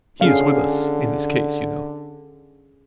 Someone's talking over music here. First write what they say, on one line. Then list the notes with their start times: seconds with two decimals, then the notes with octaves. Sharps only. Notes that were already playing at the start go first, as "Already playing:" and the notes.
"He is with us in this case, you know."
0.21 D3 C#4 G#4 F5